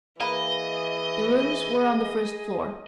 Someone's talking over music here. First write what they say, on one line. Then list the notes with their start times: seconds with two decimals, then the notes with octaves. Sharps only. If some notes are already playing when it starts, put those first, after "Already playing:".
The rooms were on the first floor.
0.20 E3 A#3 G#4 B4 D#5